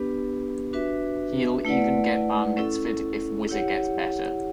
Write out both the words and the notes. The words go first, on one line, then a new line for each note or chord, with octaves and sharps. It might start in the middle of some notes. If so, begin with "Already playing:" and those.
He'll even get Bar Mitzvahed if Whizzer gets better.
Already playing: B3 D4 G4 B4
D4 F#4 B4 E5
A3 E4 B4 D5 F#5
C#4 E4 A4
E4 G4 C#5 F#5